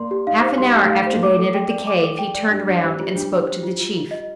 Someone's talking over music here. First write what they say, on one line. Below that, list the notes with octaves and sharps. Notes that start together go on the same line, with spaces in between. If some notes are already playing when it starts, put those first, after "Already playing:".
Half an hour after they had entered the cave he turned round and spoke to the chief.
Already playing: A#3 D5 C6
G4
D#4 F5
C5
G3 C6
G4
A3
F5
C5
A#3
A3 D6
A4
G5
D5
D6
A4
G5
D5
G3 D4
G3 D4
G3 C5
G3 F4
G3 D4
D4
C5
F4
F4
F4
D#5